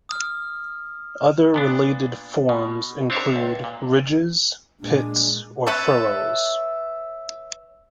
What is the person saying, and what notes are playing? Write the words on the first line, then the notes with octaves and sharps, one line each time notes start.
Other related forms include ridges, pits, or furrows.
D#6 F6
A#2 B3 D4
B2
C4 D4 C#5 E5 F5
C#2
A#2
A#2 G#3 D4
B4 C#5 E5 A5